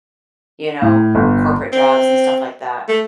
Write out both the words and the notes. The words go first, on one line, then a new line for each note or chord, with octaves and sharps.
you know, corporate jobs and stuff like that.
A2
G1
C4
A3